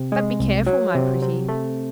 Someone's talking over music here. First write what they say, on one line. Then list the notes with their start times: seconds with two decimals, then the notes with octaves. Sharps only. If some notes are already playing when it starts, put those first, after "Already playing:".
But be careful, my pretty!
Already playing: C3
0.12 G#3
0.40 C2
0.66 F#3
0.95 C3
1.22 C3
1.48 A3